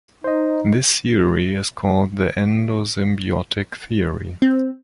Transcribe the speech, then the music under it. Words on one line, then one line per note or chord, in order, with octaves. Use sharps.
This theory is called the endosymbiotic theory.
D#4 C5 D#5
C4